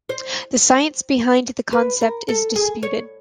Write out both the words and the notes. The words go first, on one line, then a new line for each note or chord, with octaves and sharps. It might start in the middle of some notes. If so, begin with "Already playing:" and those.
The science behind the concept is disputed.
C5
B4
A#4
A4
G#4
C#5